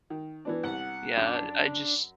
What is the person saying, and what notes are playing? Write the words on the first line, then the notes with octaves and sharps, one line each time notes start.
Yeah, I just
D#3
E3 B3 D4
C2 F#5
F#2 D4